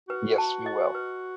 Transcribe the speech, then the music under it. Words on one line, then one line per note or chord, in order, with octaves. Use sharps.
Yes, we will.
F#4 B4
A5
D#5
B4